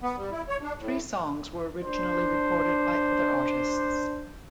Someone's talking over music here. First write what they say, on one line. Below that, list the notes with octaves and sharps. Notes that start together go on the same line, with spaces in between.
Three songs were originally recorded by other artists.
B3
G3
E4
C#5
D4
A2
D4 C5